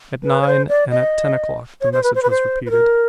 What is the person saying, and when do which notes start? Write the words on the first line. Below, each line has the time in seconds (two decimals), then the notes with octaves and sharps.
At nine and at ten o'clock the message was repeated.
0.24 B4
0.42 C#5
0.47 C5
0.69 D5
0.91 D#5
1.81 C#5
1.93 C5
2.03 B4
2.15 C5
2.23 B4
2.30 C5
2.66 B4
2.70 A#4